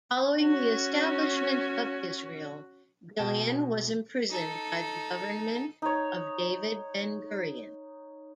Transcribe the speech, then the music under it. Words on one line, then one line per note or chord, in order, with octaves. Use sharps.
Following the establishment of Israel, Ghilan was imprisoned by the government of David Ben-Gurion.
C#4 F#4
B2 G5 A5
D#4 A4
D#4 C#5